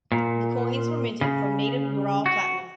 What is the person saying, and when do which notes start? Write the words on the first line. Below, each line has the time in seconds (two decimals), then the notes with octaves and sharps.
The coins were minted from native Ural platinum.
0.12 A#2
1.21 C#3
2.26 F#4